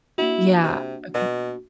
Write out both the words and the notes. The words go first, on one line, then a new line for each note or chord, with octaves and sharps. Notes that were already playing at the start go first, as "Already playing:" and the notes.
Yeah. Okay.
A#3 D4 E4 F#4
C3
B2